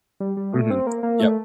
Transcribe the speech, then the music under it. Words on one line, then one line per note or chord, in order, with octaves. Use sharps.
Mhm, yep.
G3
G3
A3
C4
A#3
A#3
A3